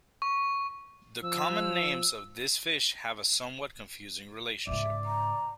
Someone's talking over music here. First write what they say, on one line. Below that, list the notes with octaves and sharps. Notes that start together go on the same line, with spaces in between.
The common names of this fish have a somewhat confusing relationship.
C#6
F3 E6
G#2 C#3 D5 E5
A#5